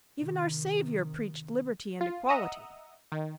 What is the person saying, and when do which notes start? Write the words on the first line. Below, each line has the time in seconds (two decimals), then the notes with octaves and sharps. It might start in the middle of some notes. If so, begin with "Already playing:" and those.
Even our Saviour preached liberty and equality.
0.19 C3 D#3
2.01 F4
2.29 D#5 E5 F#5 A#5 D#6 E6
3.12 D#3